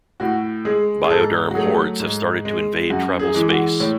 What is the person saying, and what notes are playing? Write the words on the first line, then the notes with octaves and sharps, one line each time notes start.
BioDerm Hordes have started to invade tribal space.
A2 F#4
G#3 G#4
G#4
G#2 A4
F#4
F#3 A3 G#4
G#2
G#3
F#2 F#4
G#4
E3 G#3
F#4
A2 C#5